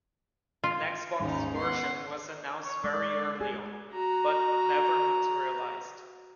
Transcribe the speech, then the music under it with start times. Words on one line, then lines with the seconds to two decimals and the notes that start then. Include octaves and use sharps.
An Xbox version was announced very early on, but never materialized.
0.64 F4
1.20 G#1 D#2 G#2 C#4 D#4
1.55 B3 F#5 C6
2.65 C#5
2.84 G#3 D5
3.41 G4 G#4 G#5
3.91 F#4 A#5